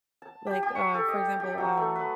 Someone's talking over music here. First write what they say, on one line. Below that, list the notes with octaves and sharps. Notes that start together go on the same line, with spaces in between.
like, uh, for example, um
A5
G4
G4
C#6
A4
D#5
G4
F#3
A3
B4